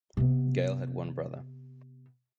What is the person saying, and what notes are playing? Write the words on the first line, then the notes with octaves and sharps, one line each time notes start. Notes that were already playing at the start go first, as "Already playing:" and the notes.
Gale had one brother.
C3 B3